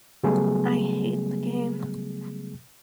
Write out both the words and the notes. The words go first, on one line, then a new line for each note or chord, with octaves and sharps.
I hate the game.
C#3 F#3 G3 A3 B3 G#4